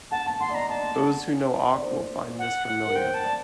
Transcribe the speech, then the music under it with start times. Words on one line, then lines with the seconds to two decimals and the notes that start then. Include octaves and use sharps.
Those who know awk will find this familiar.
0.11 F#5 A5
0.26 A5
0.40 F#5 C6
0.49 D5
0.55 D#5 A#5
0.69 D5 A5
1.73 D5
1.82 C5
2.39 F#5
2.68 F#5
2.86 A#4
2.96 C5 G5
3.14 A5
3.23 D5